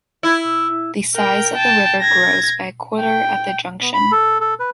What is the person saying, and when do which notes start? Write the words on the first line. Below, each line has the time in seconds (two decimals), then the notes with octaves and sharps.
The size of the river grows by a quarter at the junction.
0.23 E4
1.15 A#4 G5
1.54 G5 A5
2.01 G#6 A#6
3.00 G5
3.82 B3
3.93 B5
4.12 A4
4.40 A4
4.60 B4